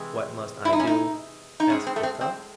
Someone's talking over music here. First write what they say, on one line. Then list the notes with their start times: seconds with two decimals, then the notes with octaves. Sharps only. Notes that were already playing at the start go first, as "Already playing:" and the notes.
"What must I do?" asked Tik-Tok.
Already playing: C3 E3 G#3
0.65 E4
0.73 D#4
0.80 C#4
0.87 D#4
1.60 D#4
1.69 A2 G#3 C#4
1.87 C4
1.96 A3
2.03 C4
2.21 C4